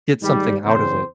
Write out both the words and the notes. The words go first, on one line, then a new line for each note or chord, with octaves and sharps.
get something out of it,
G#2 D#3 G3
E2 C#3 C4 C5